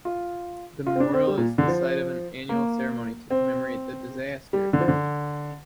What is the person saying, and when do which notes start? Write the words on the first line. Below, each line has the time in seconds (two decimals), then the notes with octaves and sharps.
The memorial is the site of an annual ceremony to commemorate the disaster.
0.05 F4
0.87 F4
0.96 C4
1.00 D4
1.14 C4
1.27 G3
1.38 A#2
1.58 D3
1.68 F3
2.49 A#3
3.30 C4
4.53 G3
4.73 D3
4.80 F3
4.88 D3